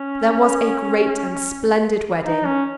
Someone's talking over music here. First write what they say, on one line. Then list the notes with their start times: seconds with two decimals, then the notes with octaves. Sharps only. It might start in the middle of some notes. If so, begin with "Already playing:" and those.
There was a great and splendid wedding.
Already playing: C#4
2.22 D#4
2.45 C#4